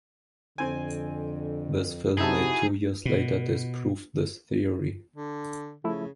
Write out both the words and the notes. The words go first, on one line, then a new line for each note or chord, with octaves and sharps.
This film made two years later disproved this theory.
F2 D3 C4 G#5
C3 D#4 E4 F#4 G#4 E5 A5
B2
D3
C#3 F3 A3 E4